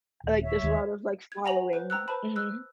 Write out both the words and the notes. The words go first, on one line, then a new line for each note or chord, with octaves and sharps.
like, there's lot of, like, following. Mhm.
D#1
C#5 E5
D#2 D#3 G#3
G#6
F#5 G#5 A#5 A#6 F7 F#7
B4 C5
G5 A#5 E6 F#6
B4 C5 A5 B5
E6 F#6